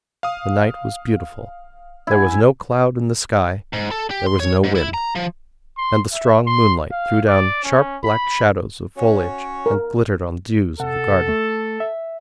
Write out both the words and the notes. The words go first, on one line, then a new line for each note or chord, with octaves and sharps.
The night was beautiful: there was no cloud in the sky: there was no wind; and the strong moonlight threw down sharp black shadows of foliage, and glittered on the dews of the garden.
F5 D#6
E4 G#5
G#2
A4
G4
C6
C#5
G#2
E4
A#5
F3
C6
E5
C6
F5
D5
C#4
B5
C#4 F#4 C#5
A#4
C3 A4 F#5
A3
E5